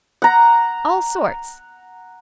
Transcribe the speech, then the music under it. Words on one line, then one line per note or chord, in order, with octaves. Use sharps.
All sorts.
F#5 A#5